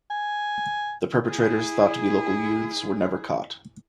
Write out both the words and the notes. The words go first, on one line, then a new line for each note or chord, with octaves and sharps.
The perpetrators, thought to be local youths, were never caught.
G#5
E4 G#4